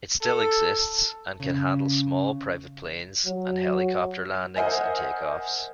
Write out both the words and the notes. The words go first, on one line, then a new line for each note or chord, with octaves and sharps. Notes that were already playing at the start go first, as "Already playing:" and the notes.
It still exists and can handle small, private planes and helicopter landings and take-offs.
A4
C#3
F#3
A#4 C5 D#5 E5 F#5 G#5